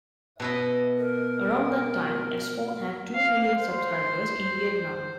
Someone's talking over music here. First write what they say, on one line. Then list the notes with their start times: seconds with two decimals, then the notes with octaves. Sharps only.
Around that time, S-Fone had two million subscribers in Vietnam.
0.40 B2 E4 D#5
0.97 A#4
3.14 F5
3.59 C5